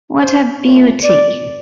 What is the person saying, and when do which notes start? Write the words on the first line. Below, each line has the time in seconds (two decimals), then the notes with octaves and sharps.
What a beauty!
0.21 C5
0.62 A#2 F3 A3 C#5
1.03 D5